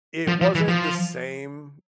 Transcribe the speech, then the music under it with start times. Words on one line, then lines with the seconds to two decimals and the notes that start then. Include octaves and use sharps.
it wasn't the same,
0.28 F3
0.41 F3
0.55 E3
0.68 F3